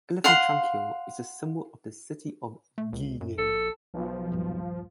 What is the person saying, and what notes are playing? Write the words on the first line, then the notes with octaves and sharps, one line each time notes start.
Elephant Trunk Hill is the symbol of the city of Guilin.
F5 F#5 C6
A3
C#2
F#2
A#1 A4
B1 F3
D#1 G2